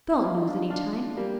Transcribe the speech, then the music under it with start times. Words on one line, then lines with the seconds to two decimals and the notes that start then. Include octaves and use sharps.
Don't lose any time.
0.23 F4
0.35 D#4
0.47 D4 F4
0.70 D4 F4
1.17 G3 A#3